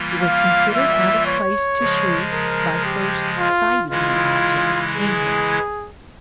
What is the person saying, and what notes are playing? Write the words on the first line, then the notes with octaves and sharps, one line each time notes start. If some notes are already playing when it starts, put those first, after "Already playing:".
It was considered out of place to shoot by first sighting the object aimed at.
Already playing: E3 G3 A#3 F4
F5
E5
C#5
C#3 F3 G#3
A#4
G4
F4
C#3 E3 G#3 E4 F4
G#4